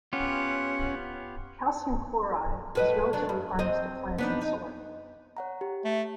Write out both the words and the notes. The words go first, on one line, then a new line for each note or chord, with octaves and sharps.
Calcium chloride is relatively harmless to plants and soil.
B3 C#4 F4 G4 F#5
A2 B4 D#5
F#3 D4
G2
C4 D#5
B3 D4 D#4
D#4
C#5 F#5 A#5
G4
A3